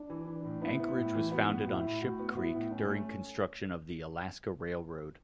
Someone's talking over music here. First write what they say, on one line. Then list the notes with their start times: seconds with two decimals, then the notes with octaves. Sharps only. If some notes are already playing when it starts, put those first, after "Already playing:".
Anchorage was founded on Ship Creek during construction of the Alaska Railroad.
Already playing: D4
0.10 E3
0.27 E3
0.45 A2
0.62 B3 E4
0.80 B3
0.97 A2
1.15 E3
1.32 B3 F#4
1.49 A2
1.67 A2 E4
1.84 A2
2.01 A2 F#4
2.19 B3
2.37 B3 E4
2.55 A2
2.72 F#2 C#4
2.89 A3